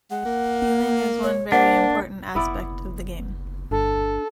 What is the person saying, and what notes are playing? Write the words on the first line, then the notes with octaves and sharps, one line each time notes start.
Healing is one very important aspect of the game.
G#3 F#5
A#3
C#5
A#3 D4 C5 F#5
F#1 B3 E4 D5
G1 D4 A4